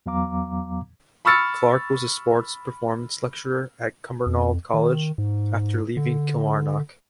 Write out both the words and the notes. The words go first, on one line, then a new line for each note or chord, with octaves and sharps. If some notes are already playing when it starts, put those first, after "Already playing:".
Clark was a sports performance lecturer at Cumbernauld College after leaving Kilmarnock.
E2 F#3 B3 F5 A#5 D6
B5 C#6 E6 F6 A6 C#7
F2
D#3
G#2
D3